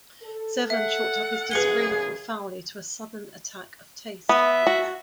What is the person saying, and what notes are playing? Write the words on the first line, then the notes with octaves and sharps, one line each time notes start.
Zevon chalked up his disagreement with Fowley to a sudden attack of taste.
A4
E5 F#5
F#2 C#3 G#4 B4 C#7 G7
B3 E5
F#4